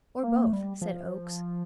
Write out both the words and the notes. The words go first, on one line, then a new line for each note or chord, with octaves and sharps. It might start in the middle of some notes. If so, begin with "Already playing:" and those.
"Or both," said Oakes.
A#3
A3
G3
F3